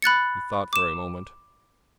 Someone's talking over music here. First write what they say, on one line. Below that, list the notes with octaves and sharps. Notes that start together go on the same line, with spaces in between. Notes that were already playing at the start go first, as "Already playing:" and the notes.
He thought for a moment.
B5 F#6 A6 C#7
D6 E7